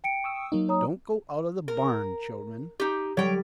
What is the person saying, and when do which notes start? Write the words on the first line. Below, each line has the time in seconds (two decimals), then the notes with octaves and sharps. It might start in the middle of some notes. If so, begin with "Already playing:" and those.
'Don't go out of the barn, children.
0.04 G5 C#7 D7
0.24 C#6 D#6 E6
0.52 F#3 A#3 D#4
0.69 C#5 A#5 D#6
1.68 A#4
2.80 D#4 G4
3.17 G3 C#5 G5